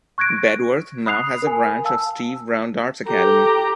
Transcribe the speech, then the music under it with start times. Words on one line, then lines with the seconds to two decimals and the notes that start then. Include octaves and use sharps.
Bedworth now has a branch of Steve Brown Darts Academy.
0.18 C#6 F#6 G#6 A#6 D7
1.06 B5 D#6 F#6 C7 F7
1.42 A#4 G#5
1.85 F5 A5 E6
3.07 G4 A4 A#5